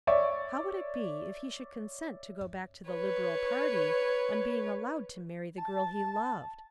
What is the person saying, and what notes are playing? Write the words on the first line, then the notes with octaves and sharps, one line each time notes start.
How would it be if he should consent to go back to the Liberal party on being allowed to marry the girl he loved?
C#5 D5 E5 C#6
B4 C#5
A5